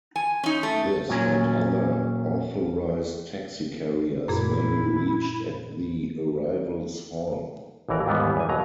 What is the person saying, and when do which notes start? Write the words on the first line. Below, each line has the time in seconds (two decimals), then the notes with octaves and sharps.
This and other authorized taxi carriers may be reached at the arrivals hall.
0.16 G#5
0.43 C#4 D#4
0.63 A3
1.09 A#2 F#3 C#4
4.28 F#2 A#2 E4 G#4
7.89 A1 D#2 E3 A#4 D5
8.06 D#2 G#2 E3 G3 B3
8.36 E2 G3 G#5
8.49 D#2 B2 F#3 A#5